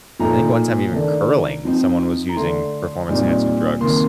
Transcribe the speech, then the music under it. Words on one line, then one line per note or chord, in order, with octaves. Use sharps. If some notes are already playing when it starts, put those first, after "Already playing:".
I think one time even curling, someone was using performance-enhancing drugs.
A#2 F3 A3 D#4 A#5
D#3 A3 D4
C3 F3 C4 D#4
A#5
D3 A3 D4 C6
A#2 G3 C4 D#4
C3 D#3 A#3 C6